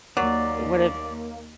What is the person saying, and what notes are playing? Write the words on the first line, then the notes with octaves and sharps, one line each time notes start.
It would've
D#2 F#3 A#3 D5